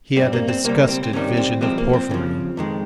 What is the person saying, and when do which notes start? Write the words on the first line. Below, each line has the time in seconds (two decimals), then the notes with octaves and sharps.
He had a disgusted vision of Porfiry.
0.16 G2 G3 C4
0.33 A#3
0.48 C4
0.64 C#2 C3 G3 A#3
0.88 C4
1.03 C4
1.13 C2 C3 D#3 G3 C#4
1.37 C4
1.61 C2 C3 F3 G#3 C4
1.78 A#3
1.93 C4
2.09 D#2 C#3 F3
2.57 F2 D#3 G#3